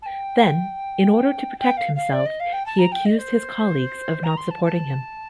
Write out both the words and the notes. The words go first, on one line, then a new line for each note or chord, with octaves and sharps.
Then, in order to protect himself, he accused his colleagues of not supporting him.
A5
G5
G5
F5
F5
D5
D#5
F5
G5
A5
A#5
G5
D#5
C5
A#5
C6
A5
A5